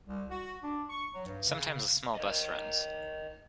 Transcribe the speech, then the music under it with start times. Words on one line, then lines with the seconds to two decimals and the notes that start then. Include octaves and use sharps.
Sometimes a small bus runs.
0.05 C2
0.29 F#4
0.62 D4
0.89 C#6
1.13 F#3
1.26 G2
1.47 C#3
2.15 A#4 B4 C#5 D#5